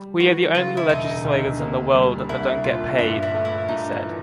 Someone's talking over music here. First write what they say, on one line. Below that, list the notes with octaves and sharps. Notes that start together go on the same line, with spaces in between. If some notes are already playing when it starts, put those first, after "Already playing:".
"We are the only legislators in the world that don't get paid," he said.
Already playing: G3
E3 F#4
C#3 F4
E4
E1 D#4
D2
A#3
G3
C2 E4
A#2 F4
G2 E4
E4
A3
E4
G2 D#4
E3